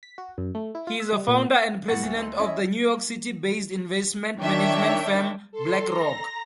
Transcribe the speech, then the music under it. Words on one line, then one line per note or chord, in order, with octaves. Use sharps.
He's a founder and President of the New York City-based investment management firm, BlackRock.
B6
F#4
F#2
A3
E4
F4
E5
G3
A#2
A2 F#5 C#6 A6
D2
D#4 A4 C6
C#4 E4 D#5 E5
D#3 D4 C#5 E5 G5
A4 C6
A#5 A#6